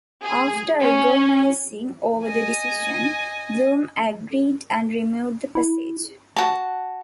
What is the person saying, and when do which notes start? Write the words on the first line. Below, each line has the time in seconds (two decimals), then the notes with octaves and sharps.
After agonizing over the decision, Blume agreed and removed the passage.
0.23 G#4
0.79 C#4
2.23 D#5 G#5
5.55 E4
6.36 F#4 A5